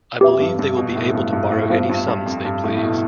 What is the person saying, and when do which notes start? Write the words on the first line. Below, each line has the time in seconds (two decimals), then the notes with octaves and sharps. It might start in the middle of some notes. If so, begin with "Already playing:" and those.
I believe they will be able to borrow any sums they please.
0.20 F2 G4 B4 E5
0.40 G2
0.59 G2
0.77 B2
0.96 A2
1.14 G2
1.33 G2
1.52 A2
1.70 G2 B3 F4 C5 F5 A5
1.89 G2
2.08 G2
2.26 F2
2.45 G2
2.64 A2
2.77 A2
2.83 B2